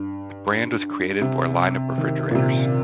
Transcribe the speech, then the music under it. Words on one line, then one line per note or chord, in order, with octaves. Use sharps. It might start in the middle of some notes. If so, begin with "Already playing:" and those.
The brand was created for a line of refrigerators.
Already playing: G2
C3
D#3
A#2
C3